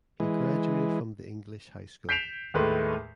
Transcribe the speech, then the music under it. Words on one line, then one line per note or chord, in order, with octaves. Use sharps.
He graduated from The English High School.
E3 G#3
G6 B6 C7 D7 E7 F7
D#2 A2 G#3 A3 B4 C6